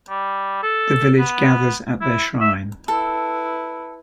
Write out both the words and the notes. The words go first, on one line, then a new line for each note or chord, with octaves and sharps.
The village gathers at their shrine.
G3
A4
B3
E4
E5
E4 A4 B4